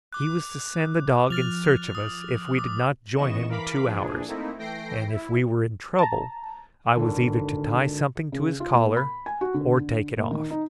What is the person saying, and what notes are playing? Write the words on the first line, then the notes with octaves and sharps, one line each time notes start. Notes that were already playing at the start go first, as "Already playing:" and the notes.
"He was to send the dog in search of us if we did not join him in two hours; and if we were in trouble I was either to tie something to his collar or take it off."
D6 F#6
F3 F6 A6 F7
D#6
D6
C#3 E3 B3 D#5 C#6 E7
E3 A#4 F5 B5 D6 B6
A#2 E3 F3 D4 G#4
A3 A#3 C4 D#4 E4
E3 A3 G5 A#6 C7 D7
E4
A5 A#5
G#1 D3
C#3
F4
A#2
B5
G#5
F#4
D3
D3
A#2
D#3
D#4